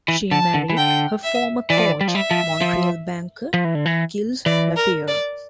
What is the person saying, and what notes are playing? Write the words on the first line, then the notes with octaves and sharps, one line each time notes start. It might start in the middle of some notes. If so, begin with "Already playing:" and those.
She married her former coach, Montreal banker Gilles Lapierre.
E3
D3 A5
D3
E3
D3 G5
E5
E3 D5
F3
E3
G3
F3
G3 E5
F3
F3
F3
E3
D3
E3
E3 D5
A#4
D5